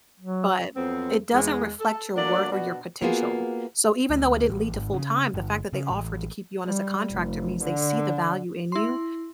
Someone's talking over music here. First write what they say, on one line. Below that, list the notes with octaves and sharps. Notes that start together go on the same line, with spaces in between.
but it doesn't reflect your worth or your potential. So, even though it didn't lead to full time, the fact that they offered to keep you on as a contractor means see the value in you,
F#3
F2 F#3 B3 C4
E2 G#3
A4
F#3 A3 A#3 D4 D5 F#5
B2 D4 F#4
A#3 B3 F4 F#4 G#4
D2
A1
G#1
C#3
G1
C#3
A1
G3
F1
D3
E4 C6